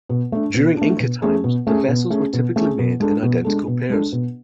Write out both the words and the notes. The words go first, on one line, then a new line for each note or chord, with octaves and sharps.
During Inca times, the vessels were typically made in identical pairs.
B2
A3 D4
B2
A3 D4
B2
A3 C#4 G#4
B2
A3 C#4 G#4
B2
A3 C#4 G#4
B2
A3 C#4 G#4
B2
G#3 D4 A4
B2
G#3 D4 A4
B2
G#3 D4 A4
B2